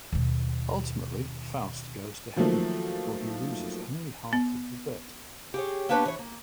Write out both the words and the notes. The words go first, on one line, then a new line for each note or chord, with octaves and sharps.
Ultimately, Faust goes to Heaven, for he loses only half of the bet.
D#2 B2
D#3 F3 F#3 A3 A#3
B3
G4 G#4 C#5
A#3 B3 D4 G4 B4 C#5
E3 C#5
A#3